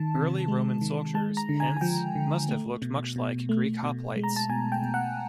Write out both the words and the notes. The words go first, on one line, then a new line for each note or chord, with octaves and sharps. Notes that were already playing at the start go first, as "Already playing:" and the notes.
Early Roman soldiers hence must have looked much like Greek hoplites.
Already playing: D#3 A5
C3
G#3
D#3
G#3 A5
A#5
D3
G#5
G#5
F3 G5
D3
A3
B2
B2
A3
B2
G#3
A#5
A5
B2 G#5
G5
B2
F#5